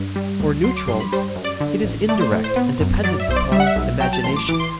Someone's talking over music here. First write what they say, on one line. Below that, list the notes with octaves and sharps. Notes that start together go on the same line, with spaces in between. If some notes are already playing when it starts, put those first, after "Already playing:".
For neutrals, it is indirect and dependent upon imagination.
Already playing: G2
G3
D2
F#3 C6
D6
G2 C6
B5
G3 C5
F#2
D5
D3
A1
A3 D5
C5
A2
C5
B3
F#2
F#3 D5
E5
B1 C5
D5
G3 E5
F#5
E5
B1
F#3 G5
A5
A1 C6
D6
E3 D6
C6